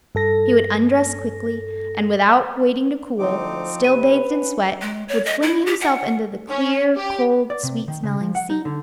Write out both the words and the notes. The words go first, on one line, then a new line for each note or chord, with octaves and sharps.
He would undress quickly, and without waiting to cool, still bathed in sweat, would fling himself into the clear, cold, sweet-smelling sea.
G2 A4 A#6
D2 F3 C4 D#4 D6
C3 B4 D#7
C#4 F#5
G#3
C#5
D#5
E4
G4
F#5
C#4
G4
D5
C3
D#3
C#3
F3
F#5
D#4
D3